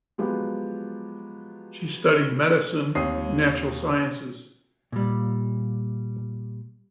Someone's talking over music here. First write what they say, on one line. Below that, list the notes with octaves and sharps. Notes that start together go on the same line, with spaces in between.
She studied medicine and natural sciences.
F3 F#3 G#3 B3 F4 G4
D#2 C4 C#5 D#6 C7
A#2 G3